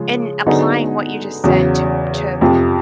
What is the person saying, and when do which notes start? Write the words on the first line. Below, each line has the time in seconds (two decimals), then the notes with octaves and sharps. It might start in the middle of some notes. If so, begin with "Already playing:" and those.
In applying what you just said to m to,
Already playing: C#3 F3 G#3
0.46 D3 F#3 B3 D#4 G#4
1.44 E2 C#3 F#3
2.41 F2 C3 F3